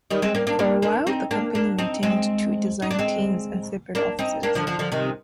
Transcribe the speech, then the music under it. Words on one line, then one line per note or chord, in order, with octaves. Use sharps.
For a while the company maintained two design teams in separate offices.
D#3 G3
G#3 C4
A#3 D4
A#3 D4
A#3 D4
A#3 D4
C4 D#4
A#3 D4
A#3 D4
C4 D#4
G#3 C4
D#4
D4
G#3 C4
A#3 D4
C4 D#4
A#3 D4
D3 F3
D3 F3
D3 F3
C3 D#3